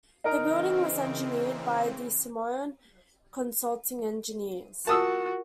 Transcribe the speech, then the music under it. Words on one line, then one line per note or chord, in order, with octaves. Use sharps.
The building was engineered by DeSimone Consulting Engineers.
C#3 E3 C4 D#4 A#4 A#5
F4 F#4 A#4 A5 D#6 E6